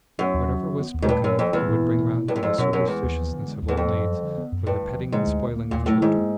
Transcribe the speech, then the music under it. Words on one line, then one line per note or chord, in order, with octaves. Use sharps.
Whatever was spoken of he would bring round to the superstitiousness of old maids, or the petting and spoiling of children.
F#2 B3
D#2
F#3
D#3
B3
D#2
G#2
G2 A#2
F#2 A#2
F2 A#3
E2 G3
A#2
A#2
B2
B2
G2 B3
F#2
F2 G#3
F#2 B2
F#2 B2
E2 G#3
D#2
F3
D3
G#3
D#2
E2
F2 B3
F#2
G3
D3
B3
F#2
D2 G2
D2
F3
G#2 D3
D2
D2
A#3
D#2 A#2
A2 F#3
G#2 D#3
A#3